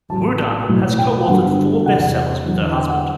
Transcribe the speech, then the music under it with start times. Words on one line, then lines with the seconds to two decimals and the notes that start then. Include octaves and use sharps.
WuDunn has co-authored four best-sellers with her husband.
0.09 A1 A2 F#3 A5
0.69 B1 A2 E3
0.98 G5
1.27 G1 G2 D3 F#3 F#5
1.86 E2 C3 F#3 F#5
2.01 F#5
2.45 E2 D3 F#3
2.74 G5
2.89 F#5